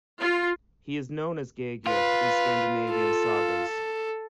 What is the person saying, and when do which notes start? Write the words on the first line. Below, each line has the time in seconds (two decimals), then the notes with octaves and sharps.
He is known as Gyrgir in Scandinavian sagas.
0.20 F4
1.87 F4 B4
2.92 A4